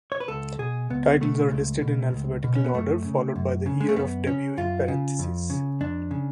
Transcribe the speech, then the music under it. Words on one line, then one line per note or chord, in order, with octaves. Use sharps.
Titles are listed in alphabetical order followed by the year of debut in parentheses.
C#5
B4
C#2 A4
B2 G#4
C#2 B3
B2 A3
C#2
B2
C#2
B2
C#4
B3
F#2 A3
C#3
F#2
C#3
G#3
A3
F#2 B3
C#3 C#4
F#2 F4
C#3
F2
C#3
F2 D4
C#3